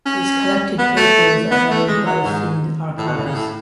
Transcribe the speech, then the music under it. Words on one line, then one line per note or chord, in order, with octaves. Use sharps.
His collected papers are held by the Sindh Archives.
C#4
B3
A3
B3
A3
G#3
F#3
G#2
A2
B2
A2
C#3
A2